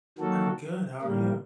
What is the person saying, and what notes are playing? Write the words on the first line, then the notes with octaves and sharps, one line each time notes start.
I'm good. How are you?
D#3 F#3 A#3 F#4 A4
A2 G3 A#3